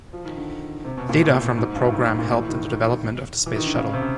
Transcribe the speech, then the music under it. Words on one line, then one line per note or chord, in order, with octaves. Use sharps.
Data from the program helped in the development of the Space Shuttle.
F3
D#3
D3
C3
B2
A#2
A2
G#2
G2
A2
G#2
A#2
A2
E3
D#3
E3
D#3
D3
C#3
C3
C#3